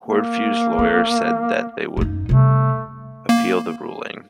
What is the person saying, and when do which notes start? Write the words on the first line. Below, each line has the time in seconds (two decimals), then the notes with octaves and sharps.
Hortefeux' lawyer said that they would appeal the ruling.
0.06 A#3
0.79 D4
1.97 F#2 D#4
2.29 C3 G3 A3
3.29 A#3